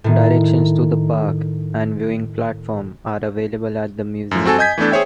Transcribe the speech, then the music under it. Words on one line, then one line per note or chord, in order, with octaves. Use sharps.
Directions to the park and viewing platform are available at the museum.
A2 D#3
F#2 F3
C4 F#4 A4 G#5 A5
D#5 G#5 G6 G#6 B6
E3 A3 B3 D4 A4
G#4 C5 C#5 E5 G5